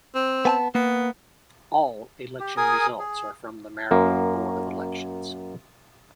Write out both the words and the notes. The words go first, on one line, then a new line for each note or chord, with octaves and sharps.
All election results are from the Maryland Board of Elections.
C4
B3 G#5 A5
A#3 B3
G4
G#4 A#4 G#5 D#6
G#4
F#2 A#3